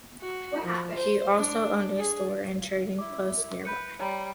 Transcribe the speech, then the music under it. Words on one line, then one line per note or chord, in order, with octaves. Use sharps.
He also owned a store and trading post nearby.
F#4
F3
C5
D4
G#4
E4 D6
B4 B5 G6 C#7
G3 C#5 A#5 B5